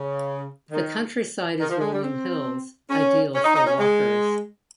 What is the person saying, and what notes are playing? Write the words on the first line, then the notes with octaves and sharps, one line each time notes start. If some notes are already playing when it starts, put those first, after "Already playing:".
The countryside is rolling hills ideal for walkers.
Already playing: C#3
D#3
D#3
F3
G#3
G3
C4
C#4
C#4
D#4
D#4
C#4
G#3